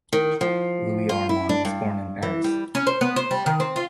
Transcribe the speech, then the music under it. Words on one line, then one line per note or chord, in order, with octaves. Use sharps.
Louis Armand was born in Paris.
D#3
F3
F4
E4
D4
G2
E3
G3
C#4
C5
B3
C5
G3
D#3
C4
F4